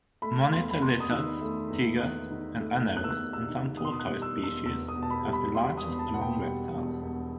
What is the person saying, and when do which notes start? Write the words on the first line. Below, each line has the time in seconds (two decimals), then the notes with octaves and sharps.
Monitor lizards, tegus and anoles and some tortoise species have the largest among reptiles.
0.22 A3 B5
0.52 E2 C6
0.71 B5
0.82 E2 C6
1.00 D#6
1.11 D#3 E6
1.41 A3
1.70 E2
2.00 E2 F#6
2.30 D#3
2.59 A3
2.89 E2
2.97 F#6
3.04 E6
3.10 F#6
3.19 E2
3.33 E6
3.48 D#3
3.77 B2 D#6
3.85 C6
3.92 D#6
4.00 F#6
4.07 G3
4.22 E6
4.37 E1
4.44 E6
4.66 E2 E6
4.88 D#6
4.96 B2
5.03 A5
5.10 B5
5.25 G3
5.33 B5
5.55 E1 C6
5.77 D#6
5.84 E2
5.99 A5
6.14 B2 F#5
6.21 G5
6.43 G3
6.73 E1
7.03 E2